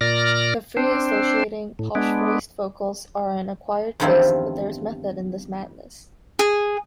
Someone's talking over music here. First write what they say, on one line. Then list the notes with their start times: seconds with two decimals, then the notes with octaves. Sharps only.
The free-associating, posh-voiced vocals are an acquired taste, but there's method in this madness.
0.01 A#2 D5 F6 A#6
0.77 C4 D4 C5
1.79 A2
1.95 G#3 B3 D4
4.00 E2 G2 D#3 F3 C4 E4
6.39 G#4